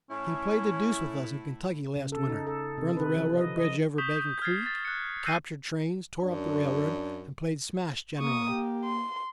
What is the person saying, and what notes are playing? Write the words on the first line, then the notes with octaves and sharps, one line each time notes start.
He played the deuce with us in Kentucky last winter: burned the railroad bridge over Bacon Creek, captured trains, tore up the railroad, and played smash generally.
A2 C#4 E4
C#3
A4
D#4
A4
C3
B4
F3
D#5
D#5
C#6 D#6 G6 B6 E7 G7
G6
F6 G#6 A6 C7
A6
F#6 C#7
E6 F#6 G6 A#6 C7 D#7
F#2 D4
A#3 C#6 D#6
G4
C6